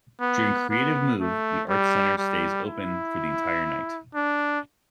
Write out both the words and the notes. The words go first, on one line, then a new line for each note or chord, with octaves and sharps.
During "Creative Move", the Art Center stays open for the entire night.
B3
B3
A3
G3
G3
E4
D4